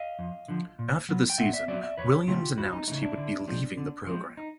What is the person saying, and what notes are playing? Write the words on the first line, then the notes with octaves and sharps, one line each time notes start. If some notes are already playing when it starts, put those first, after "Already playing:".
After the season Williams announced he would be leaving the program.
Already playing: D#5 F5
F2
D3 F3
A#2
F#3 B3
G5
A#2 E5 F#5
D5 E5
F#3 B3 D5 E5
D5 E5
E2 B4 C#5
C#3 E3 A3 F4 G4
E2 E4 F#4
D#4
C#3 E3 A3 D#4
D4 E4
D3
F3 G#3 C4
D3
F3 G#3 C4
D#4